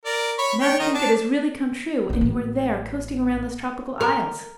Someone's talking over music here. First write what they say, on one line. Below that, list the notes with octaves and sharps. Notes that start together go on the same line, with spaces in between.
And now to think it has really come true, and you are there, coasting around those tropical isles!
A#4 D5
C#5 B5 C#6
C#5 G5
D#3 D#5
D4 A5
B2 D3
A1
A#4